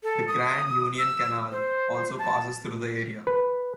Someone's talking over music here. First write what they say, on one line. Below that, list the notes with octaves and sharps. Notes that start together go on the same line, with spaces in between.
The Grand Union Canal also passes through the area.
A4
D#6
E6
C5
A5
B4